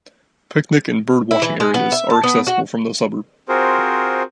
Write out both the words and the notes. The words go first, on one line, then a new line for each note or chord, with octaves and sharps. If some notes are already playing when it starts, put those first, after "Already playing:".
Picnic and bird-watching areas are accessible from the suburb.
E4
E3
G#3
B3
E5
A5
B3
F#4
C4 F4 F#4 G#4 A#4 C5